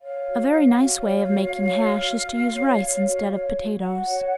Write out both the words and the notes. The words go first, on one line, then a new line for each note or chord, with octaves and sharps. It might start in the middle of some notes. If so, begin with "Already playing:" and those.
A very nice way of making hash is to use rice instead of potatoes.
C#5 F5
F#4
C#5
F#5
F#4 F5
C#5
F#4
C#5
F#4
F#4
F#4
C#5
C#5
F#4
C#5
F#4
F#4 F#5
C#5